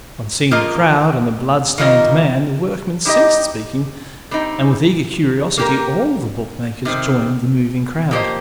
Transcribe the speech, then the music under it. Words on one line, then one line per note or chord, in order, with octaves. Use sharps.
On seeing the crowd and the bloodstained man the workman ceased speaking, and with eager curiosity all the bootmakers joined the moving crowd.
F3 A#3 F4 A#4 D#5
D#3 G3 A#3 F4 D#5
G3 D#4 G4 D#5
G3 C4 D#4
A#3 G4 A#4
C3 D#3 C4
F3 A#3 G4 C5 D#5